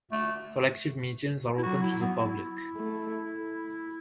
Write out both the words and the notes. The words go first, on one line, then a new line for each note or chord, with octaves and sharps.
Collective meetings are open to the public.
A3
E4
F#3 F#4
E4
B3
E4
A3